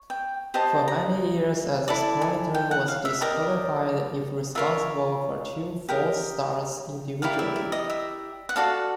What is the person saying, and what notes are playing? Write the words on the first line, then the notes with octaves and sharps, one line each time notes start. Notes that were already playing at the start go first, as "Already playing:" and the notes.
For many years a sprinter was disqualified if responsible for two false starts individually.
Already playing: C#5
G5
G4 C5 D#5 A5
A#5
E4 A4 D5 A5
G#5
G5
F#5
F5
E5
G4 A#4 D5 D#5
F4 A#4 C#5 E5
G4 A#4 D#5
E4 G4 A#4 D5 F5
E5
E5
D#5
E5
F#5
F#4 A4 D5 F5